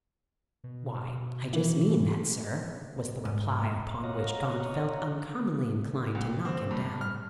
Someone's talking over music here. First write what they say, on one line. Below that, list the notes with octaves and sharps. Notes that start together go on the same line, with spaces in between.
"Why, I just mean that, sir," was the reply, upon which Gaunt felt uncommonly inclined to knock him down.
B2
E3
G#2
C#5 D#5 F5 F#5 A#5
C2
C4
G2
F6